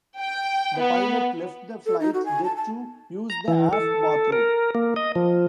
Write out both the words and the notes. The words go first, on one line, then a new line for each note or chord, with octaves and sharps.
The pilot left the flight deck to use the aft bathroom.
G5
B3
A4
D#4
F#4
G#5
A5
A5
A#5
E3
A4
A#4
A#3
D#5
F3